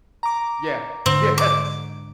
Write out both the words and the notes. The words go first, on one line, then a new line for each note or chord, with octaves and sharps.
Yeah. Yes.
A#5 D6
G#2 D3 C4
D6